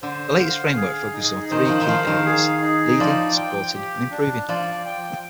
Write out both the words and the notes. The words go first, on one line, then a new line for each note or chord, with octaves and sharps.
The latest framework focuses on three key areas: leading, supporting and improving.
D3 C5
F5
G#4
D#4
D#3 C5
D#3 F3
D#3
F3 F5
D#3
G#4
D#4
F3 D5
G5
G4
D4
F3 D5
G5